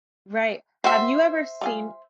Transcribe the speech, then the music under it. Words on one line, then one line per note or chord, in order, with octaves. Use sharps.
Right, have you ever seen
F#4 C5 E5 F#5 G5
G3 F4 G#4